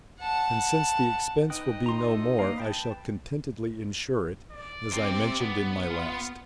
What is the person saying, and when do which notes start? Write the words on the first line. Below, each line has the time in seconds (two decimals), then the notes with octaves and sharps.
And since the expense will be no more, I shall contentedly insure it, as I mentioned in my last.
0.20 F#5 A5
1.50 D#4 B4 G5 F#6
1.86 A#5 C6
2.04 F4 A4
2.39 A#3 F5
2.58 B4 G5 A5
4.52 D5
4.92 C3 C4
5.41 B3
5.87 F4